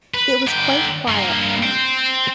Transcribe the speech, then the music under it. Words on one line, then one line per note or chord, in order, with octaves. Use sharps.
It was quite quiet.
B4
D3 G5
G2 A#3
C5 G5